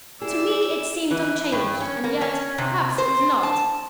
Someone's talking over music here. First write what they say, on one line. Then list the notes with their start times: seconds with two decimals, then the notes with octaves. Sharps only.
To me it seemed unchanged--and yet--perhaps it was not.
0.22 E4 G4 G#4 D5 E6
1.11 E3
1.52 G2
1.80 C#4
2.04 A#3
2.21 C#4
2.58 C3
2.98 C5
3.43 A5